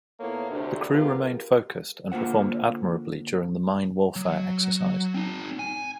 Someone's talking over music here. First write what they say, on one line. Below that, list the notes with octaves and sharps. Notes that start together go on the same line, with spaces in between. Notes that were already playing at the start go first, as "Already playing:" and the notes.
The crew remained focussed and performed admirably during the Mine Warfare Exercise.
A#2 A#3 B3 E4 A4 C#5
D2 C3 D4
B3 F4 G4 G#4 A#4
D3 A#3 F4 C5 F#5
F#3
C4 D#4
G#5